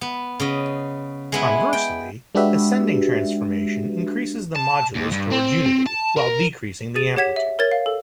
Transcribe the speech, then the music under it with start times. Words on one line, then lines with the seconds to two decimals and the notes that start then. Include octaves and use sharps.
Conversely, ascending transformation increases the modulus towards unity, while decreasing the amplitude.
0.01 B3
0.40 C#3 B3 D#5
1.32 G#3 B3 E4
1.73 G5
2.35 G#3 D4 F#4 G4 B4 E5
4.56 A5
4.96 D#2
5.12 G2
5.32 C4
5.65 C4
5.86 A5
6.17 A#4
6.96 G#4 A6 D#7
7.16 G4 C#5 F#5 G#6 B6 E7
7.36 E5
7.59 A#4 C#5 G#6 A6
7.71 F5
7.86 A4